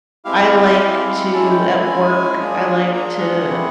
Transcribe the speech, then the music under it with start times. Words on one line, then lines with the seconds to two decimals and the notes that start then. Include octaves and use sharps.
I like to, at work, I like to
0.25 G#3 C4 E4 G4 F5
0.79 G#3 C4 E4 G4
1.32 G#3 C#4 E4 A5
1.50 G5
1.68 G#5
1.86 G#3 C#4 E4
2.40 A#3 D4 F4 G#4
2.93 A#3 D4 F4 G#4 A#5
3.20 F#5
3.48 A3 C4 E4 G#4